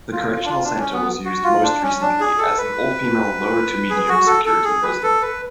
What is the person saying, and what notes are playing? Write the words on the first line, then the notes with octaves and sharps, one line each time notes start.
The correctional centre was used most recently as an all-female low-to-medium security prison.
F4
F4
D4
F4
D4
C#4
B3
F#4
F4
D4
C#4
D4
G#4
A4
B4
G#4
F#4
A4
A4
G#4
B4
A4
B4